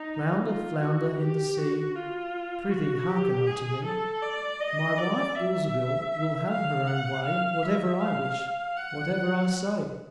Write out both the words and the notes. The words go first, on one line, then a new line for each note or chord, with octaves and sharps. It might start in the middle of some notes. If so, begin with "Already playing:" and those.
"Flounder, flounder in the sea, Prythee, hearken unto me: My wife, Ilsebil, will have her own way Whatever I wish, whatever I say."
Already playing: D#4
F4
F#4
G4
F#4
F4
F#4
G4
G#4
A4
D5
D#5
D5
E5
F5
F#5
F5
E5
F5
F#5